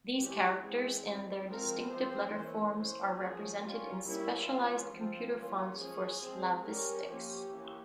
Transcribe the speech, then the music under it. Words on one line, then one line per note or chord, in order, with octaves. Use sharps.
These characters and their distinctive letterforms are represented in specialized computer fonts for Slavistics.
E3 G#3 C#4 G4
E3 G#3 C4 G#4
G3 C4
F3 G#3 C4 A#4
F3 C4 C5
E3 A#3 C#4
E3 A#3 C#4 C5
F3 A#3 C#4 G#4
G3 C#4 F4
G3 A#3 C#4 E4
E3 G#3 C#4 F4
F3 C4 F4
E3 G3 A#3 C#4
F3 G#3 C#4 G#4
F3 G#3 C4
G3 C#4 A#4
F3 A#3 C#4 G4
E3 A#3 C#4